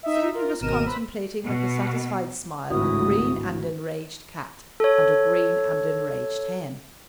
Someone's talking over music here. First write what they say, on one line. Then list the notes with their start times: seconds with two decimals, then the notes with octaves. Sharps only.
Soon he was contemplating with a satisfied smile a green and enraged cat and a green and enraged hen.
0.03 D#4 D#5 E5
0.32 F4 A#4
0.61 G#1 B2 D#3 A#4 D#7 E7
0.85 B4 C5 B5 E6
1.44 B2
2.70 G#1 C#2 A2 D3 E4 F#4 D#6
4.80 A4 C#5